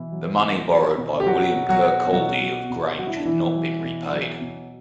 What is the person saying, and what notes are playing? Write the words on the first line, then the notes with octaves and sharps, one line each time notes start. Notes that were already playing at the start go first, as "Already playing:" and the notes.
The money borrowed by William Kirkcaldy of Grange had not been repaid.
Already playing: B2 E3 E4
F#3
B2
F#3
B2
G4
F#3 F#4
B2
F#3 F#4
F#3
B2 F#3 F#4
F#3
B2
F#3 F#4
E4
D4
B2 E3 E4
F#3
B2
F#3
B2